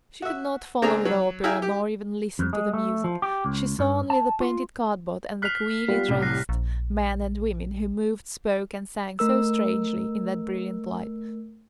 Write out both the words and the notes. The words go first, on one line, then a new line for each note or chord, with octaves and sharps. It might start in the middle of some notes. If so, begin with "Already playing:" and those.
She could not follow the opera nor even listen to the music; she saw only the painted cardboard and the queerly dressed men and women who moved, spoke, and sang so strangely in that brilliant light.
F#4 E5
C#3 A#3 C4 D4 G#4 A#5
F#3
E4 G#4 E5 F5 G5 A#5
G4
F2
G#3
A3
F3
G4
C#2
G2
A5
F4
F6 F#6 B6 C7 F7
G3 B3 F4
C2 A2 C3
F#6 A#6 C7
A#1
A3 A#4 E6